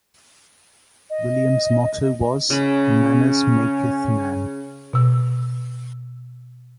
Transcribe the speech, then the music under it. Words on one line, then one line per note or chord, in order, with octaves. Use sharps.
William's motto was 'Manners makyth man'.
D#5
C#3 C#4 B5
B2 E6